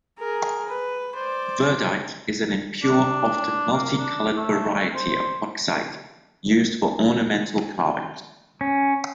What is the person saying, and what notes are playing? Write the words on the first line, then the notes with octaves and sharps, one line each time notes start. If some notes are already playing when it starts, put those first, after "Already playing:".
Verdite is an impure often multicolored variety of fuchsite used for ornamental carvings.
G#4 A#4
B4
C5 D5
D4
A#3
D4
A3
C5
C#4